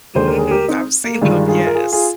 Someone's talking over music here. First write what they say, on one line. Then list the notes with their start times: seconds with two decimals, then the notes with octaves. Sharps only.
Mhm, I've seen them, yes.
0.15 D#2 D3 G#3 C5
0.28 A#4
0.39 G#4
0.51 G4 A#4
0.68 C4 D#4
1.04 A#3
1.21 G2 D#3 G#3 D4 F4
1.48 F4 G#4
1.67 A#4
1.75 F4 G#4
1.92 F4 G#4